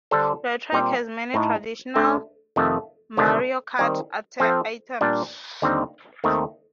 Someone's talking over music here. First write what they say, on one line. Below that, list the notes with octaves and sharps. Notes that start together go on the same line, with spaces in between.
The track has many traditional "Mario Kart" items.
D3 G3 D4 A4 C5
A#2 G3 C4 G4 C5
A2 A3 D#4
D2 D3 A3
F2 C3 D#3 A3
D2 C3 D#3 A3 D4
D#3 G3 C4
F3 C4 F4 A4
A#2 G3 D4
D#2 D3 G3 C4 D#4
D#2 D#3 A3 C4 D#4